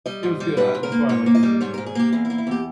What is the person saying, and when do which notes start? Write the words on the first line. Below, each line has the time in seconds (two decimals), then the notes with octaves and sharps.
it was good. I that's why I liked Italy so much,
0.06 G3 D#5
0.23 G#2
0.40 G3
0.57 G#2 B4
0.74 G#2
0.83 A#4
0.92 A#3
1.09 G#2 C#5
1.26 A#3
1.35 D#5
1.43 G3
1.61 G#2 C#5
1.74 G#2 A#4
1.86 G#4
1.95 A#3 G4
2.12 E2 G#4
2.25 E4
2.30 A#3
2.38 E4
2.47 E2 G4